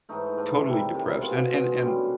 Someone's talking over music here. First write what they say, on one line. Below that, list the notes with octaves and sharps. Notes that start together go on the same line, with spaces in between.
totally depressed, and and and
G#2 E3 A3 D#4
G#2 E3 A3
C3 D#3 G3 E4
C3 D#3 G3
B2 G#3 F4
B2 G#3
F#2 D3 G3